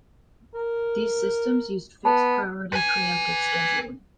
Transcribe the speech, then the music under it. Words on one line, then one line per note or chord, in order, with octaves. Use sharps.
These systems used Fixed priority pre-emptive scheduling.
A#4
B3 A5
B4 G#5